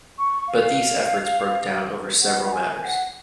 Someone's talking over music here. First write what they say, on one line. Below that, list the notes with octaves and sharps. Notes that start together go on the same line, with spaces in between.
But these efforts broke down over several matters.
C#6
F5
F#5
F#5
G#5
G#5
F#5